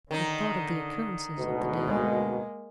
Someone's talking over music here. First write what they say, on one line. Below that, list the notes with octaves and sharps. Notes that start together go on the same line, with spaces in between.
I thought of the occurrences of the day.
D3 D#3 D#4
D2 G#2 B2
G#3 A#3